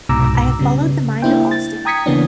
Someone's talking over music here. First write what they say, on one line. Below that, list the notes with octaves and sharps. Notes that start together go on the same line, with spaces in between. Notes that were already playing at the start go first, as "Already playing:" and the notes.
I have followed the mind of Austin.
C2 G#2 B2 A#5 D6 E6
C#3 G3 B3
A#3 D4 E4 C5 G5
A6
G5 A#5 D#6 G#6 B6 C#7
C#3 E3 A#3 B3 C#4 D4